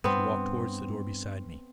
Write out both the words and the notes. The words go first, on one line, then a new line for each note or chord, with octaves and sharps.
She walked towards the door beside me.
G2 B3 C4